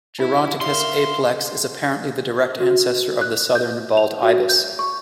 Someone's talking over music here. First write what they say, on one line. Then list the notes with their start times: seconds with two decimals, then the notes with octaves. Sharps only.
Geronticus apelex is apparently the direct ancestor of the southern bald ibis.
0.19 E4
0.61 A#4 E5 F5 C6
2.60 F#4
3.21 F#6
3.55 G6
3.97 F7
4.23 F#4
4.49 G6
4.79 C#6